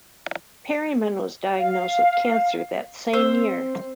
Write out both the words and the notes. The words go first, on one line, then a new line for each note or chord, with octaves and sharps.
Perryman was diagnosed with cancer that same year.
F5
C4 C5 E6